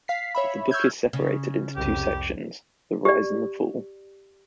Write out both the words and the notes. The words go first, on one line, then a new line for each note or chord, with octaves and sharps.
The book is separated into two sections: the rise and the fall.
F5 B6 C7
C#5 E5 B5
C#6 E6 F6 G6 G#6
C#3
C2 F2 G4
G4 D5